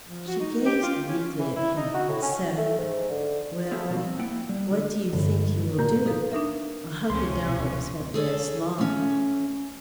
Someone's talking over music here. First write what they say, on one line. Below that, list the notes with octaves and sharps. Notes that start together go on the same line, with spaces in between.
She gazed weakly at him and said: "Well, what do you think you will do? A hundred dollars won't last long."
F3
F#4
D#4
G4
F4
C#4
E3
E4
D#4
F#4
A2
C#4
A3
G#2
D3
F#3 B3 F4 G#4 A4 E5
B2 D#3 F3 A#3 C4
C4
A#3 B3 E4 F#5 G5
G3
D3
G1
A#2 A#4 A#5 G6
D#4 A4 B4 F5
D4 D#4 A#4 E5
C#2 C3 F3 C#4 C6
D1 B2
G#4 A4 C#5
A3 C#4